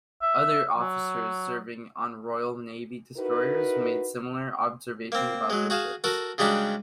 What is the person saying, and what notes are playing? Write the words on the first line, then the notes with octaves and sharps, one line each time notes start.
Other officers serving on Royal Navy destroyers made similar observations about their ships.
E5
F#3
D#4 E4 F#4 A#4 B4
A#3 C4
F#3 G#3
F#4 G#4 F5
F#4 A4 A#4
C#3 G3 G#3 D4 F#4 G4